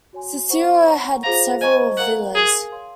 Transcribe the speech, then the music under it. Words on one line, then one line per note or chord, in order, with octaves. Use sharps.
Cicero had several villas.
F#4 C#5 G#5 C6
C5 F#5 A#5 C#6
C#5 F#5 A#5 C#6
F4 G#4 C5 F5 A#5
C5 D#5 G#5 A#5 C#6
A#4 F5 F#5 A#5
G#4 A#4 F5 G#5
C#5 F5 C6